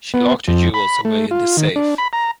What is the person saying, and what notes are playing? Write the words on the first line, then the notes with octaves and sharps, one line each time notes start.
She locked her jewels away in this safe.
B3
F2
B5
A3
F4
D#3
D4
B5
A#5